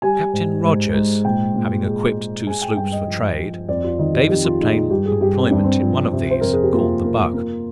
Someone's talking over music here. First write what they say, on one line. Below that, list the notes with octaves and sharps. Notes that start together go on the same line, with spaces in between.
Captain Rogers having equipped two sloops for trade, Davis obtained employment in one of these, called the Buck.
G3 G#5
G#2
G#2
G#2
A#2 G5
A#2
G#3
G#3
G#3 G#5
G5
G2 G5
D#5
F3
F3
F2 D5
F4
D#3 D#4
G4
F2 G4
F4
G#3 D#4
D#4
G2 G4
G#4
G2 G4
C4
G2 D4
C4
F3
C3
C5
F2 A#4
G#4
G4
A#3 F4
A#3
A#3